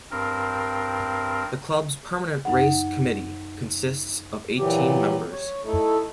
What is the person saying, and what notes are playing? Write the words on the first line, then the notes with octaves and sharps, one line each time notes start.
The club's Permanent Race Committee consists of eighteen members.
G2 C4 A#4
F#2 D#4 F#5
A#2 E3 F#3 G4
C#5
A3 D#4 E4 A4